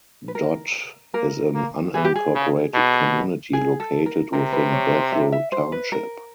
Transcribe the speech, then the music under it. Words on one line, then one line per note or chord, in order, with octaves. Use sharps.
Dott is an unincorporated community located within Bethel Township.
B4
A#4
A#3 A#4
A#3
E3 G#4
G4
G#4
C#3
B2
G#4
A4
A#4
C3 A#4
B4
C#5
C5
E5
E5
C5
B4
A#4